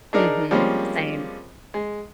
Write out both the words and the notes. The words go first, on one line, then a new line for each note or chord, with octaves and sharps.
Mhm. Same.
D4 D#4 G#4 A#4 D5
F3 G3 G#3 A#3 C4 C#4
G#3